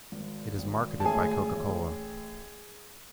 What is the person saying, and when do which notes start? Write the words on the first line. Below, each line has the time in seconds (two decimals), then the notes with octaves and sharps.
It is marketed by Coca-Cola.
0.12 G#1
0.59 G#1
1.00 A5
1.05 A1 G#4 G#5
1.52 A1